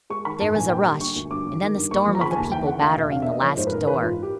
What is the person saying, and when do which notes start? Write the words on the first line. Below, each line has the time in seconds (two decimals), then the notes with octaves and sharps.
There was a rush, and then the storm of the people battering the last door.
0.10 G#3 C#6
0.25 D#3 B5
0.40 G#2 A5
0.55 A#1 G#5
0.70 A#3 G5
0.86 G3
1.00 D3 C#6
1.16 D2
1.31 G2 D6
1.46 F#3
1.61 D#3
1.76 G2
1.91 A#3 C#6
2.07 F3
2.15 A#5
2.21 C#3 B5
2.31 G#5
2.36 D#2 A5
2.52 E3 G5
2.66 C#3 F#5
2.81 D2 F5
2.97 E1 E5
3.12 D4 F5
3.22 E5
3.27 A#3
3.32 D#5
3.42 F3 C#5
3.57 G#2 C5
3.67 B4
3.72 A1 A#4
3.87 E3 B4
4.02 G#2 F4
4.23 G4